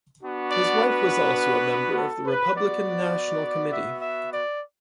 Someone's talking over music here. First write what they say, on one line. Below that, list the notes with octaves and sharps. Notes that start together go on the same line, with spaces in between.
His wife was also a member of Republican National Committee.
B3 D4 F#4
D5
B4
A4
B4
B3 F#4 D5
E5
E5
D5